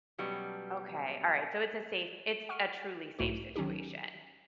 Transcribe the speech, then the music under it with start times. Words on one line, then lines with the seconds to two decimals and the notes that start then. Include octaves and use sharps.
Okay. Alright, so it's a safe it's a truly safe situation.
0.18 B2 F#3 G3 B3 C#4
2.49 F#5 C#6 F6 D7 D#7
3.19 B1 G#2 A3 E4 F#4
3.56 D#3 F#3 C#4 D#4 G4